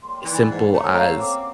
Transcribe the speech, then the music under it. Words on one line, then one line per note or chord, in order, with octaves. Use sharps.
simple as
A#2 G3 A#3 C6
E3 D5
G#2
C#3 F#3 G3 A3 A#5
C#4 F4 F#4 A4 F5 A#5
C4 D6